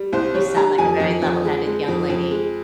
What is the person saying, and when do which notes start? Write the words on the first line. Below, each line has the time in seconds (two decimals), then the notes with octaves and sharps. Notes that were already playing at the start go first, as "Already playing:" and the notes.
You sound like a very level-headed young lady.
Already playing: G3
0.13 C2 C5
0.34 G3 C#5
0.56 G3 A#5
0.78 F2 G#5
1.00 F2
1.22 F2
1.44 G#3
1.66 G#3
1.88 F2
2.10 F2
2.31 G#3